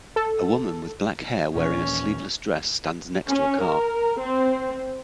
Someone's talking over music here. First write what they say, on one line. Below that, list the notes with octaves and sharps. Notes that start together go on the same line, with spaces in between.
A woman with black hair wearing a sleeveless dress stands next to a car.
A4
D#2 A#2 E3 C#4
C#4
A#4
C4